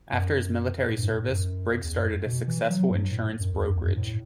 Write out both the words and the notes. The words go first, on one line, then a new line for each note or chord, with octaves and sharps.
After his military service, Briggs started a successful insurance brokerage.
F#2
A2
G2
A2
F#2
E2
F#2
B2
E3
F#3
G2
A2
F#2
E2
F#2
E2
G2
A2